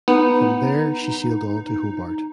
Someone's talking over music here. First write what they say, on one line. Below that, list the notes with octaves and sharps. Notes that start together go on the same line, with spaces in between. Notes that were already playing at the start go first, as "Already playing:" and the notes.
From there she sailed on to Hobart.
B3 D#4